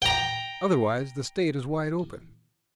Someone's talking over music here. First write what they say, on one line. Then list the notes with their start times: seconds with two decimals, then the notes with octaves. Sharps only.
Otherwise, the state is wide open!
0.02 G5 A#5